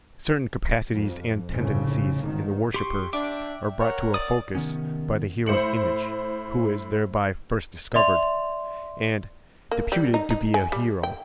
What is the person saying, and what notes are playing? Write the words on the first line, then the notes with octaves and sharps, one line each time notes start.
Certain capacities and tendencies in the worshipper are brought to a focus by the hero's image, who is thereby first discovered and deputed to be a hero.
F2
F1 A2 C#3
G#1 D#3
G4 C6 C#6
D4 E5 G5 D6
A#4 C#5 F#5
D5 D#6
C3 D#3 B3 C#4
A2 C5 C#7 F#7
D5 E5 C6 F7
A#3
G3
D#4
D#4
G#5
G3
G5